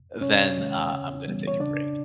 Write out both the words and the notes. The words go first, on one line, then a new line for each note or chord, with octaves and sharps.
uh, then, uh, I'm gonna take a break.
C3 C#4 C#5
D#3 G#3
C#3
E3 G3 B3
C#5
C#3 D4 D5